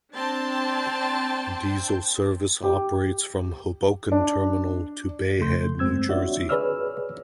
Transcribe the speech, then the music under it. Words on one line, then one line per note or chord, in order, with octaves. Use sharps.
Diesel service operates from Hoboken Terminal to Bay Head, New Jersey.
C4 D4 G5 A5 C6
G4
D4
F2 C#3 A3 C6 G6
G2 G#3 C4 E6 G#6
D4 F4 F#4 C#5 D5 E5
G#4 B4 C#5 D5 E6 F6